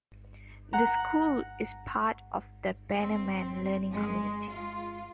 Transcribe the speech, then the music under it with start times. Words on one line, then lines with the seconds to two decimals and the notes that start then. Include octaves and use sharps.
The school is part of the Bannerman Learning Community.
0.73 F#5 A#5
2.98 C4
3.93 G#3
4.49 F4